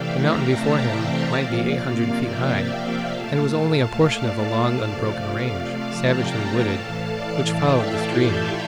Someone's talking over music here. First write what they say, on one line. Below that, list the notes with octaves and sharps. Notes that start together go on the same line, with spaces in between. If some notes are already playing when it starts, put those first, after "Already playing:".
The mountain before him might be eight hundred feet high, and was only a portion of a long unbroken range, savagely wooded, which followed the stream.
Already playing: C3 E3 A3 D5 E5 F5 G5
G5 A#5
F5 A5
E5 G5
C5 E5
C3 F3 A#3 D5 F5
E5 G5
A#2 A3 F5 A5
F5 A5
D5 F5
C3 F3 A3
F5 A5
G5 A#5
G5 A#5
A2 E3 A3 F5 A5
D5 F5
E5 G5
F4 A4
E4 G4